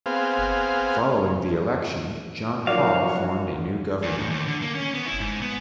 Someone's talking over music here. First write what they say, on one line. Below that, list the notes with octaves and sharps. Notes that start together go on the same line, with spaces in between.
Following the election, John Hall formed a new government.
B3 C4 G#4 F5
F3 F#3 D#4 F#4 A#4 C#5 D5 F5
E2
A2
D#2
D3
A#3
C#4
B3
E4
G#2
B3